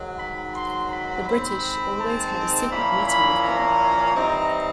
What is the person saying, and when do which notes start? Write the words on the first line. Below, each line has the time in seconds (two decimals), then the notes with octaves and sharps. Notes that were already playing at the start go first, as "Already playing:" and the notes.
The British always had a separate meeting with them.
Already playing: G#2 D#3 F#3
0.19 B5
0.55 C6
0.91 B5
1.27 D#3 G#3 C4 B5
1.99 A5
2.71 A#2 F3 A#3 C#4 E4 B5
3.07 B5
3.43 A#5
4.14 E3 G3 C4 D#4